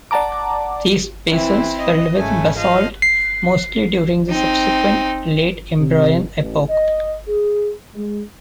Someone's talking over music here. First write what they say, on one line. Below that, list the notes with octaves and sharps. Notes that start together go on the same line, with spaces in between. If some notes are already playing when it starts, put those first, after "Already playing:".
These basins filled with basalt mostly during the subsequent Late Imbrian epoch.
D5 F#5 A5 A#5 D6
E3 C4 E4
D#5
G#2 C#3 A3 G#5
F3 D#5 F5
C7
C4 D#4
C3
A1
D#5
G#4
G#3